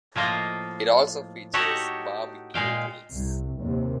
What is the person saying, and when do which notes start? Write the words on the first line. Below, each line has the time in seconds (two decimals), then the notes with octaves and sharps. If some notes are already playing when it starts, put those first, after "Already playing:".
It also features barbecue grills.
0.16 A2 F3 A#3 F4 D#5
1.54 D#4 F#4 G4 A4 C#5 F#5
2.54 A#2 G#3 F5 G5
3.11 C2
3.60 D#2 C3